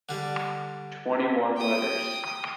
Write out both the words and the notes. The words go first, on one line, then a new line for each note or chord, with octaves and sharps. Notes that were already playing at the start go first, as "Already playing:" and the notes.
Twenty-one letters.
D3 G3
G5 D#6